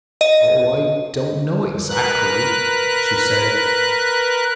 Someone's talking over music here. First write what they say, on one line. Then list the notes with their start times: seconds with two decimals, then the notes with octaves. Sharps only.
"Oh, I don't know exactly," she said.
0.21 D#5
1.88 A#4 B4 F#6